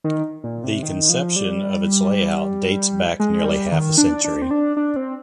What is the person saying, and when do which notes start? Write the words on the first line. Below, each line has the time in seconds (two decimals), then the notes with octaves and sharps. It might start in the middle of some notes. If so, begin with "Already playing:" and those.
The conception of its layout dates back nearly half a century.
0.04 D#3
0.44 A#2
0.64 C3
0.83 D#3
1.09 F3
1.36 G3
3.20 G#3
3.45 G3
3.72 D#3
3.98 D4
4.24 D4
4.42 C4
4.51 D4
4.77 D4
4.96 C4